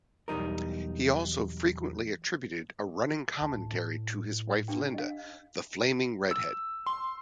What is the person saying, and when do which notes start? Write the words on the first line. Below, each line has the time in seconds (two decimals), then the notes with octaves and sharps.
He also frequently attributed a running commentary to his wife Linda, "the Flaming Redhead".
0.28 B1 E2 G3 D#4 A#4
3.41 D2 A5
3.57 A2
4.68 D4 G4 G5
4.94 D#5 F5
6.31 E6
6.86 C6